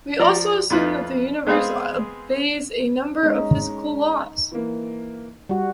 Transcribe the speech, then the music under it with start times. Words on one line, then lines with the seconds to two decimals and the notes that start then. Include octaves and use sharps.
We also assume that the universe obeys a number of physical laws.
0.19 F3 D5 A#5
0.70 F2 E4 F4 B4
1.47 G#3 B3 C4 G#4 F5
3.23 G#3 C#4 D#4
4.52 E3 A#3
5.49 G3 F#4